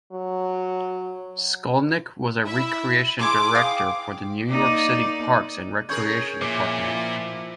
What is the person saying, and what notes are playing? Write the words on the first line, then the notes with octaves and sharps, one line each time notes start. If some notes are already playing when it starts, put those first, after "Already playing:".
Skolnick was a recreation director for the New York City Parks and Recreation Department.
F#3
E4 E5
E4 G#4 C6 D6
F5 G5 D#6
A#3 D#4 D5
C#4 G#4 A#4 C#6 G6 G#6
A#2 F3 A#3 E4 D6